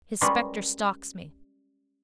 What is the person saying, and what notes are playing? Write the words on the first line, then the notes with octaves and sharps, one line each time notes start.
His spectre stalks me.
G3 G#3 C#4 F4 A#4 B4